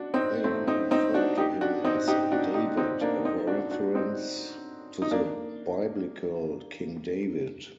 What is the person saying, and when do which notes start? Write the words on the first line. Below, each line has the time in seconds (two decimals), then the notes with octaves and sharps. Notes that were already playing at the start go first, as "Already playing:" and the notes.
They referred to him as 'David', a reference to the Biblical king David.
Already playing: D4 F#4
0.14 C4 D#4
0.44 A3 C4
0.67 C4 D#4
0.91 C4 D#4
1.14 D4 F#4
1.38 D#4 G4
1.61 D4 F#4
1.84 C4 D#4
2.08 D#4 G4
2.31 D4 F#4
2.54 D#4 G4
2.77 C4 D#4
3.01 A#3 D4
3.25 C4 D#4
3.47 D4 F#4
3.71 D4 F#4
3.95 C4 D#4
5.02 D#4
5.11 A#3 D4